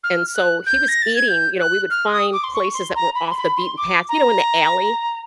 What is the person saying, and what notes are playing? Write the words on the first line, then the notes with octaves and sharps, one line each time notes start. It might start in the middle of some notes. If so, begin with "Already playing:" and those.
And so he was eating you know, we would find places that were off the beaten path, you know, in the alley?
F6
F#6
G6
A#6
A6
G#6
G6
F#6
F6
D#6
D6
C6
C#6
C6
A#5
B5
C6
B5
C6
D6
A#5